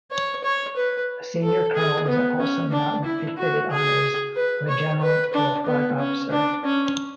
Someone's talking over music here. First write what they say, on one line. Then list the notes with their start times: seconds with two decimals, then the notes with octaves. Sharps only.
A senior colonel is also not befitted honors of a general or flag officer.
0.12 C#5
0.44 C#5
0.77 B4
1.43 A4
1.75 G#4
2.08 B3
2.40 C#4
2.72 D4
3.05 E4
3.37 F#4
3.71 G#4
4.36 B4
4.69 C#5
5.01 B4
5.33 D4
5.66 B3
5.99 C#4
6.31 D4
6.65 C#4